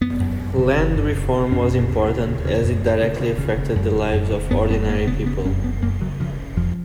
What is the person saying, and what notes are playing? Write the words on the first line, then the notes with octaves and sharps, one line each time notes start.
Land reform was important as it directly affected the lives of ordinary people.
F#2 B3
F#2
F#2
C#3
C#3
F#2
C#3
C#3
F#2 C#4
F#2
C#3
C#3
C#3
C#3
F#2
C#3
C#3
C#3
C#3
C#3
F#2
C#3
F#2
C#3
F#2 B3
F#2 B3
F#2 A#3
C#3 B3
C#3 B3
F#2 C#4
F#2 B3
F#2 A#3
C#3 F#3
C#3 F3
C#3
F2 F3